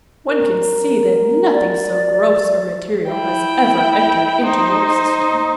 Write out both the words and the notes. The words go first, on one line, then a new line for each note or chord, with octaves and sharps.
"One can see that nothing so gross or material has ever entered into your system."
A#4
D5
E4 G5
D#4 C5